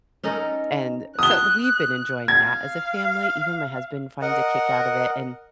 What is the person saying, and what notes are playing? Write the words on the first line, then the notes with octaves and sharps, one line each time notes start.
and so we've been enjoying that as a family, even my husband finds a kick out of it, and
C#4 D#4 A4 A#4
D#6 F#6 G7
F5 G#6
A#4 D#5 F#5